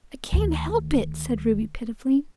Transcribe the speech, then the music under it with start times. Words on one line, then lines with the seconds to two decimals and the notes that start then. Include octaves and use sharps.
"I can't help it," said Ruby pitifully.
0.32 D2 D#3